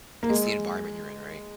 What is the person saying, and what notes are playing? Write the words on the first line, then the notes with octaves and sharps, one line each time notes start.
It's the environment you're in, right?
A#3
G#3